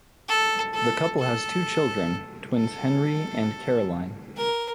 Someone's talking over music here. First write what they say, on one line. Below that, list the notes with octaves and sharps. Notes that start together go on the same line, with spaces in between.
The couple has two children: twins Henry and Caroline.
A4
A4
A4
A4
A#4